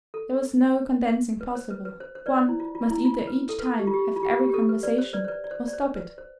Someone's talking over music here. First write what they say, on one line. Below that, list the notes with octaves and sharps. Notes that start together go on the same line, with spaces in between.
There was no condensing possible; one must either each time have every conversation or stop it.
A4
B4
C5
B4
B4
C5
C5
B4 D5
C5
E4
F4
F4
E4
F4
B4
A4
B4
A4
G4
F4
G4
F4
G4
F4
G4
G4
A4
B4
B4 D5
C5
B4 D5
C5
B4 D5
D5
C5
D5
C5
B4
C5